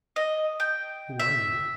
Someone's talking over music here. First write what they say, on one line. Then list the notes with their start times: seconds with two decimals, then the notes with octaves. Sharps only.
"Who are you?"
0.16 D#5
0.60 G5
1.20 E5